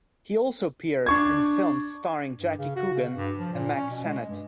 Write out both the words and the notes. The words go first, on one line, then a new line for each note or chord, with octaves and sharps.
He also appeared in films starring Jackie Coogan and Mack Sennett.
D4 C#6 G#6
G2
C#3
F#4
C#3
G2
F3
A#2
C#4
B2
G#3
G2